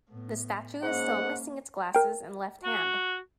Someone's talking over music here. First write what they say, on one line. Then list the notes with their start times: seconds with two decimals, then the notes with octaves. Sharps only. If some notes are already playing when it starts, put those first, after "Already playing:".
The statue is still missing its glasses and left hand.
0.10 A2 B3
0.82 G#2 A#3 C#4 F#5
1.95 A#4 G5
2.63 F#4